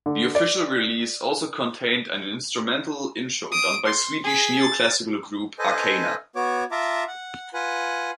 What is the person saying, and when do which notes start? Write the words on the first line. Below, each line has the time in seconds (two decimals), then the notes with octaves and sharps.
The official release also contained an instrumental intro done by Swedish neoclassical group Arcana.
0.06 D3
0.35 D5
3.52 D#6 D7
3.86 C6
4.24 G#4 B6
4.59 A6
5.59 A4 B4 C5 D#5 G#5
6.36 B3 F#4 C#5 D6
6.71 F4 E5 A5 A#5 D6
7.07 F#5
7.54 F4 B4 F#5 G#5